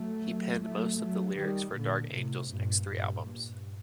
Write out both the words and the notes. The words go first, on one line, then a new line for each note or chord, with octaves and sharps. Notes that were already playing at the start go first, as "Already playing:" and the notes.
He penned most of the lyrics for Dark Angel's next three albums.
Already playing: F#3 A3
F#3 A3
F#3 A3
D#3 G3
A#2 D3
A2 C3
G2 A#2
G2 A#2
G2